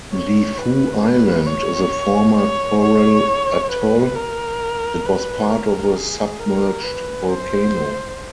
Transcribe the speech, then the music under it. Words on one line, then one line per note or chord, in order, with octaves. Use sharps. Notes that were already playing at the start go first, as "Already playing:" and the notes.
Lifou Island is a former coral atoll that was part of a submerged volcano.
C#5
B4
B4
C#5
C#5
C#5
B4
A#4
B4
A#4
G#4
A#4
B4
C5